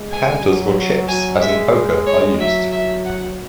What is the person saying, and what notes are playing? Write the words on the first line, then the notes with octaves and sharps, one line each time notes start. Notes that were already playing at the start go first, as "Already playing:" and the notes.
Counters or chips, as in poker, are used.
Already playing: G#3
G#5
F#3
F#3 G#5
G#3 E5
C#5
F#3 E5
E5
F#5